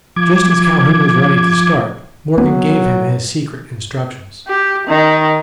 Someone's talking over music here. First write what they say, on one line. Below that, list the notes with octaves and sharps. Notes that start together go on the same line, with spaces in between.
Just as Calhoun was ready to start, Morgan gave him his secret instructions.
F3 D6 G#6
F#3 A#3 B3
G4
D#3